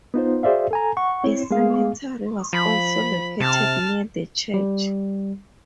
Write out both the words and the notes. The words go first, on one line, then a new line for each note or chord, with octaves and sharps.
A cemetery was also located near the church.
B3 D#4 F4 C5
F#4 G#4 C5 D5 E5 F5
A4 G#5 A#5
F#5 C#6
C4 E4 C#5
G#3 A3 B3 G#4 F5
F3 B5
C3 A5 F6
G3